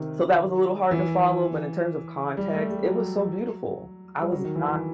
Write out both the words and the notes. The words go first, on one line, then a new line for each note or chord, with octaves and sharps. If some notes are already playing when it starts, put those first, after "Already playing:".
so, that was a little hard to follow, but in terms of context, it was so beautiful. I was not
Already playing: C3 D#3
E3
G3
A3
G3
F#3
G3
F#3
D#3
E3
E3